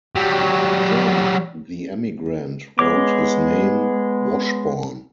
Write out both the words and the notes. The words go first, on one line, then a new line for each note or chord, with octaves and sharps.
John the emigrant wrote his name "Washborn".
F#3 G3
G#3 B3 C#5 D6